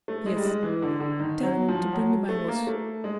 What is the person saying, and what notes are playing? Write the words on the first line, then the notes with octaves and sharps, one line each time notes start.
"Yes, tell them to bring me my horse."
A3
G#3
G3
G#3
E3
D3
D3
D#3
F#3
F3
F#3
A3
A#3
A3
G#3